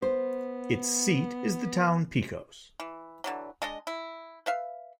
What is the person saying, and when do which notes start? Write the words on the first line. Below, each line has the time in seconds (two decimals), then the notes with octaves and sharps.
Its seat is the town Picos.
0.02 B3 C5
2.80 E3
3.24 D3 E3 F#3
3.62 G#3 D4 D#5
3.87 E4
4.46 B4 E5 F5